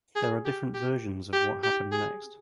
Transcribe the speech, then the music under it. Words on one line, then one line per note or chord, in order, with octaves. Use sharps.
There are different versions of what happened next.
G#4
G4
G4
G4
G4
G#4